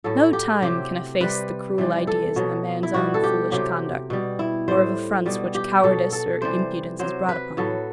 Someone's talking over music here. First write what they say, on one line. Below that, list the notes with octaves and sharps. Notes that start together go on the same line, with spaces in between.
No time can efface the cruel ideas of a man's own foolish conduct, or of affronts, which cowardice or impudence has brought upon him.
A2 F#3 A4
G4
C3 F#3 G4
C3 G3 B4
C3 E3 G3
A4
B2 F#3
E4
B2 G3 F#4
A4
G4
C3 F#3 G4
B2 G3
E4
A2 G3 C5
B2 G3
G4
B2 F#3 A4
A4
C3 E3 G3 C5
C3 F#3 C5
B4
A2 F#3 A4